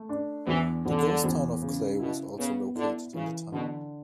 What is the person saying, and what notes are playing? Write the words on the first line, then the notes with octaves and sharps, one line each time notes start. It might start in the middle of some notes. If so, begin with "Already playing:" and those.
The ghost town of Clay was also located in the town.
Already playing: A3
D4
E2 E3
E2 D3
E2
C#3
B2 E4
C#3 B3
D3 E4
C#3 E3
B2 D3